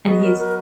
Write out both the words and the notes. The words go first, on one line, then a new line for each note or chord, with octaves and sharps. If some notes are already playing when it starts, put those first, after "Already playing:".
and he's
F#3 B3 F#4 G#4 B4 D#5
A#4
A#4